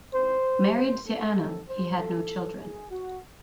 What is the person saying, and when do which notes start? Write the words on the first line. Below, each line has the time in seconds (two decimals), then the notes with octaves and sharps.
Married to Anna, he had no children.
0.13 G#2 E3 C4 C5
0.75 F#2 C#3 F#3 C5
1.06 A4
1.37 F#2 D#3 F#3 A3 C4
1.68 C5
1.98 G#2 F#3 C4 A4
2.60 F#2 D#3 A3 G#4
2.91 F#4